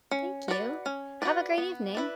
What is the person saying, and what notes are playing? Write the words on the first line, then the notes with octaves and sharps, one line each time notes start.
Thank you. Have a great evening.
C#4
F#4 B4 D5
C#4
F#4 B4 D5
B3
E4 B4 D5